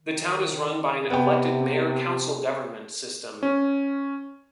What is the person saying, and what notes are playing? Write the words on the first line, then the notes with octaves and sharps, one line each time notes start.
The town is run by an elected Mayor-council government system.
D#3
C3 B3 G5
C#4